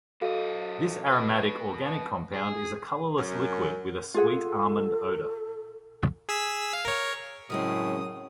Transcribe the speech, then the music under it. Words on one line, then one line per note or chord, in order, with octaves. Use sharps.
This aromatic organic compound is a colorless liquid with a sweet almond odour.
F#2 F#4 A4 D#5 F5
B2 B4
G#4
F#2
F4 G#4 A4 F#5
G#4 E6 B6
F5
A#4 C#5
F#2 A2 C#3 G#3 C4 D#6